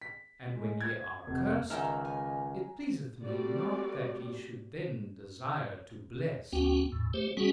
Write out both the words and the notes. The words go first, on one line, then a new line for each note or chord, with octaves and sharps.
And when ye are cursed, it pleaseth me not that ye should then desire to bless.
B6
G#3
G#6
F1
C#2 D#3 A#4 E5 F#5 G#5 A#5 F6
G#5
G3 A3 C4 F#4 D5
D2 B3 C#4 F#4 G5
E2 A2
A3 G4 C5
G3 B3 C#4 F#4 G#4